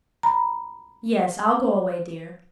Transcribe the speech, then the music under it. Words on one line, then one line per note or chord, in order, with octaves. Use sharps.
'Yes, I'll go away, dear.
A#5 B5